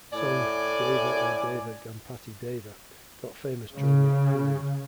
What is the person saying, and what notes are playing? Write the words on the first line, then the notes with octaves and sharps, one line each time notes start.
Song "Deva O Deva Ganpati Deva" got famous during that period.
A2 D5 G#5
C#3